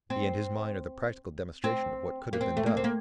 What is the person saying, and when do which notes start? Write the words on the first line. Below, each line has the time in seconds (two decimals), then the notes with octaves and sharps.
He and his mine are the practical demonstration of what could have been done.
0.10 C4
1.64 C4
2.33 A#3
2.41 C4
2.57 A3
2.66 A#3
2.77 C4
2.84 A#3